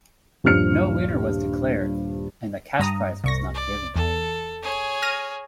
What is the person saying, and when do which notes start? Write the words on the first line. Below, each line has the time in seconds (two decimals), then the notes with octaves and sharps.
No winner was declared, and the cash prize was not given.
0.44 D#1 G2 F3 F6 C#7
2.79 G2 A#5 D#6
3.24 C2 C#6 A#6
3.54 D5
3.96 E2 A4
4.62 G#4 C#5
5.02 F6 A#6 D#7